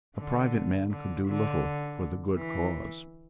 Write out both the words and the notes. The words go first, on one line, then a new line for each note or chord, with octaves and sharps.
A private man could do little for the good cause.
D3
D3
D3
E3